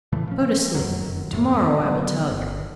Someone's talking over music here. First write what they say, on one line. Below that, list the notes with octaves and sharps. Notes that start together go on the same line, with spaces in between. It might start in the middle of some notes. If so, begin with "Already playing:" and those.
Go to sleep; to-morrow I will tell you.'
A2 C#3 E3 A3
F3 C#4
F1 F#2 D#3 F#3
E1 F#2 A2
D3 D#3 F#3 B3
G1